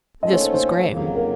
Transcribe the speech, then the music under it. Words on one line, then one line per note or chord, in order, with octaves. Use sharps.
This was Graham.
D#3 A3 C#4 F4 A4 D#5
C#5
C5
C5
F2 C#3 F#3 A#3
A#4